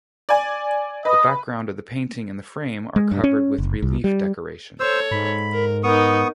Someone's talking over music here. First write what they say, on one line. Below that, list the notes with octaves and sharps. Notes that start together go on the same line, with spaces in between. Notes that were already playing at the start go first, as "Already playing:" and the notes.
The background of the painting and the frame are covered with relief decoration.
D5 G#5
B4 D#5
G#3
G2
C#4
F#1
C2
G3
A4 C5 C#5 E6
G#2 B5
A#4
B3 D#4 A#4 C#6 D#6